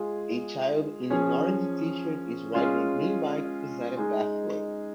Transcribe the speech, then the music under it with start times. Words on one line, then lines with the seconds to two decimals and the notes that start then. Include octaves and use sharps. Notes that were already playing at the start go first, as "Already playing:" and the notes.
A child in an orange tshirt is riding a green bike beside a pathway.
Already playing: G#3 F4 G#4
1.10 F3 C#4 G#4
2.54 G#3 C#4 F4 G#4
3.97 G#3 D#4 G#4